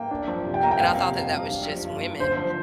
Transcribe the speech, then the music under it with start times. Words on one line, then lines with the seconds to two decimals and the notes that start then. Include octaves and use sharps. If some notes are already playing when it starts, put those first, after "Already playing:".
and I thought that that was just women,
Already playing: A#3 G5
0.11 D4
0.28 F3
0.46 C3
0.54 G5
0.63 A#3 A#5
0.71 G5
0.81 F2 F5
0.98 C3
1.15 F2
1.33 G3
1.50 D4
1.68 F3
1.85 G2
2.02 A#3
2.20 D3 C5
2.37 F3